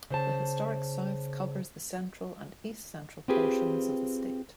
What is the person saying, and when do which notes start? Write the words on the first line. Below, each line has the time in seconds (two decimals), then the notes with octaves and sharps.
The Historic South covers the central and east-central portions of the state.
0.10 C#3 C5 A5
3.28 C4 F4 G4 G#4 B4